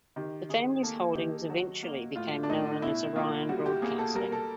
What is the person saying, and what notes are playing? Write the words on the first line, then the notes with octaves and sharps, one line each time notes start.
The family's holdings eventually became known as Orion Broadcasting.
D#3 G4
D#3 G#4
A#3 A4
D#3 G4
F#3 F#4
A#3
A2 F4
D4
A2 D#4
B2 E4
A#3 F4
G3 F#4
G4
A#3 G#4
A4
G3 A#4
A4